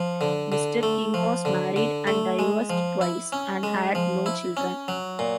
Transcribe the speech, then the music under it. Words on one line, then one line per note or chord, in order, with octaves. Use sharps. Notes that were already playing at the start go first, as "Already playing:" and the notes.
Mr. King was married and divorced twice, and had no children.
Already playing: F3
D3
D3
A3
F3
D3
D3
A3
G#3
F3
E4
C#4
G#3
F3
E4
C#4
F#3
A#2